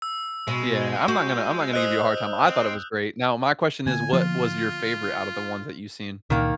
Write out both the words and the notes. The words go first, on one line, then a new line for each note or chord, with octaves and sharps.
Yeah, I'm not gonna I'm not gonna give you a hard time, I thought it was great. Now, my question is what was your favorite out of the ones that you've seen?
E6
B2 G#3
F#4 G6
C5 D#5 D#6 E6 F#6
C4
D3 A#3 B3 G#5
F3 F4
C#2 A#2 D#3 A#3